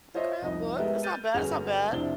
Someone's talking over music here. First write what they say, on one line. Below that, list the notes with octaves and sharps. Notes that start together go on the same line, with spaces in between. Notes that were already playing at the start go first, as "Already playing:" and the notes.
Okay, a book, that's not bad, that's not bad.
F4 C5 C#5 D#5 E5
C2 F2 D#4 D#5
G#3 A3 B3 G4 A#4
F6 G6 A6 D#7
G1 C#4 F#4 G#4 F7
F1 C3 D4 E4 G7